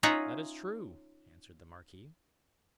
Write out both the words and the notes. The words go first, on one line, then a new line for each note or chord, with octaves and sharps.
"That is true," answered the marquis.
C#4 D#4 F4 E5 F#5 A#5